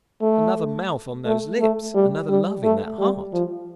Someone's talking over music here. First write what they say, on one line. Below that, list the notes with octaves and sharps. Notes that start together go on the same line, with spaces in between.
Another mouth on those lips, another love in that heart!
A3
A3
A3
G3
G3
A3
G3
F3